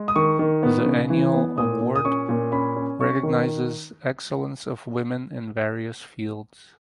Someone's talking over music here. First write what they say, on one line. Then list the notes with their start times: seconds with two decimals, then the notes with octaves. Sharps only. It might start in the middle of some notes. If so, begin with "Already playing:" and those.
The annual award recognizes excellence of women in various fields.
Already playing: G#3
0.08 D#6
0.16 D#3 C#6
0.39 D#3
0.63 B3
0.86 C#3
1.10 E3
1.34 B3
1.58 A#2 D#6
1.81 A#2
1.96 D#6
2.05 C#4 C#6
2.29 A#2
2.52 C#4 B5
2.76 C#4
3.00 C#4 C#6
3.23 D#3